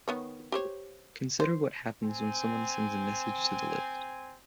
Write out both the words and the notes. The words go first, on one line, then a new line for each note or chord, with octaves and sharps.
Consider what happens when someone sends a message to the list.
D#3 B3 C#5
G4 C5 C#5
C5
C4 G#5